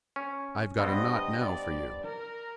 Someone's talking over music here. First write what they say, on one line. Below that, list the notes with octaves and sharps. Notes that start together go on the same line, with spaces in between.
"I've got a knot now for you."
C#4
G2 B3 C4 D#5
D5
A#4